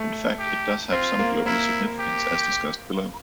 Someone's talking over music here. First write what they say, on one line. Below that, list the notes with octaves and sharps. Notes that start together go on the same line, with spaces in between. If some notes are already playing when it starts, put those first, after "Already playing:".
In fact, it does have some global significance, as discussed below.
Already playing: A3
G4
C4 F4
A#3
A#3 E4
G4